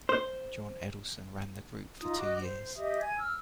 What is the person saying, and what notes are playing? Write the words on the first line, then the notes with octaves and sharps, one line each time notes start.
John Edelson ran the group for two years.
C5
D#4 F4 D#6
F#4 D#5 D6
C5
G4 D#5 E5 D#6
G#5 G#6
E6 F6